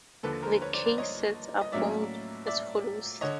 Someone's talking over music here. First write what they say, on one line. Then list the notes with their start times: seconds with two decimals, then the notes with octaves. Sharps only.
The K sets are formed as follows.
0.23 D#2 D3 F3 A4 B4
0.42 A#4 C5
0.61 B4 C#5
0.73 C5 D5
0.86 C5 D5
0.98 C#5 D#5
1.61 D#5
1.72 A2 F#3 A#3 C#4 D5 E5
2.47 D5 E5
3.21 D3 C#5 D#5